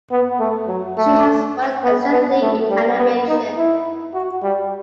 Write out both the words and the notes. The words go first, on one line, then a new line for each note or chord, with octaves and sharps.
She has worked extensively in animation.
B3
A3
F#3
A3
B3
B3
A3
G3
B3
D#4
E4
F#4
G3